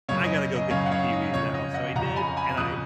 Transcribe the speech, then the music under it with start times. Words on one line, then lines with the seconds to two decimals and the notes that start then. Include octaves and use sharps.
"I gotta go get some kiwis now." So, I did, and I
0.09 F#2 C#3 C#5
0.24 D#5
0.56 D#5
0.70 F#2 C#3 C#5 F5
0.86 F#5
0.92 C#5 F5
1.13 D#5
1.33 F2 C#3 C#5
1.54 D#5
1.74 D#5 F#5
1.95 F2 C#3 F#5 A#5
2.16 G#5 B5
2.37 G#5 B5
2.57 F2 C#3 D#6 F#6